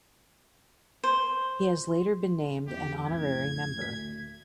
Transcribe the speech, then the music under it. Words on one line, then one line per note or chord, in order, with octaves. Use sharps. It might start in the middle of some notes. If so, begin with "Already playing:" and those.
He has later been named an honorary member.
C5
E2 G4
F2 A2 G#6
D2 B6